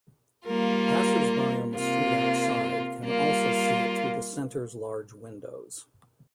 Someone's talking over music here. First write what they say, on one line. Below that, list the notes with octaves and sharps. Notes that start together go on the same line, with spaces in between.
Passersby on the street outside can also see it through the Center's large windows.
G3 A#3 F4 A#4
C3 A#3 F4
G3 A#3 F4